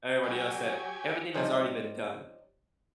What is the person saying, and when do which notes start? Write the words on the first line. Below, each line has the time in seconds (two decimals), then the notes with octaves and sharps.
everybody else that everything has already been done.
0.23 F#3 G4 G#5
1.34 F3 G3 C#4 D#4